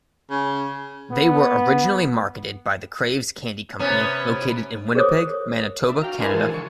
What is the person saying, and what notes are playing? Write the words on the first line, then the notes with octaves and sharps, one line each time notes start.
They were originally marketed by the Kraves Candy Company, located in Winnipeg, Manitoba, Canada.
C#3
B3
C3 B3 C#4
G#4 A#4 C5 C#5 D6 D#6
D4 E5
F#4 F5 G5 A#5
D4 E4 A#4 F5 G#5 C6
E3 F3 G#3 F#4 G#4 A4
D3 C#6